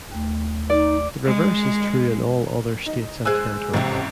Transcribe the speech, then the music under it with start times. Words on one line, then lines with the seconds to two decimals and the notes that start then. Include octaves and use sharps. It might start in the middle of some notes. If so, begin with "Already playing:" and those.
The reverse is true in all other states and territories.
0.11 D#2 A3
0.70 D#4 D5
1.25 G#3
2.86 D#4
3.25 G#3 C5 G#5 E6 F#6
3.74 A1 F2 G#2 C3 C4